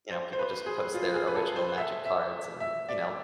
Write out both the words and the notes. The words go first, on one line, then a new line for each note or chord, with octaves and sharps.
you know, people just post their original Magic cards, and, you know,
C5
C5
B4
G#4
F4
G#4
B4
A4
C5
E5
E5
E5
D5